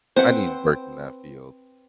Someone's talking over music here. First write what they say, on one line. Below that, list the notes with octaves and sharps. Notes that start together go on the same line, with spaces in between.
I need work in that field.
C4 B4 C5 F#5